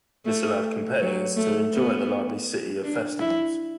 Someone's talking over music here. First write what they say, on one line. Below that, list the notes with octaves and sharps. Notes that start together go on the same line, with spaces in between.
This allowed competitors to enjoy the lively city of festivals.
A3
F#3
A3
B3
D4
E4